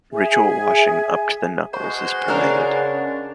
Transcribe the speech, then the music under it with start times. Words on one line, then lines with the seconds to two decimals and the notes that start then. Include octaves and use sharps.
Ritual washing up to the knuckles is permitted.
0.13 G#4 E5 G#5
1.74 B2 G#3 F#4 C5
2.28 C#3 D4 A#4 F5